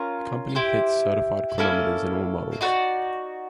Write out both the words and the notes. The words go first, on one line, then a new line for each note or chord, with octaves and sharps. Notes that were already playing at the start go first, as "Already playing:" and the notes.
The company fits certified chronometers in all models.
Already playing: C#4 F4 A#4
E4 G4 C5
A#3 C#4 E4 A4
D#4 F#4 B4 D5